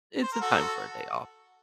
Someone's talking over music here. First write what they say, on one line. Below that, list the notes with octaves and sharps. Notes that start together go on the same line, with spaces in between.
it's a time for a day off",
C5
A#4
F#4 A4